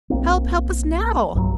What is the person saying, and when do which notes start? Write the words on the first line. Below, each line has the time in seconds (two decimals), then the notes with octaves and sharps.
Help, help us now!'
0.10 B1 A#3 C4
1.35 B1 G2 F3 F#3